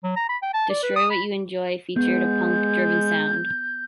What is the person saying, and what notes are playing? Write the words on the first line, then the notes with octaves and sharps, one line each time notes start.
"Destroy What You Enjoy" featured a punk-driven sound.
F#3
A#5
B5
G5
A5
D5
B4
D#6
B5
G#3 B3 G6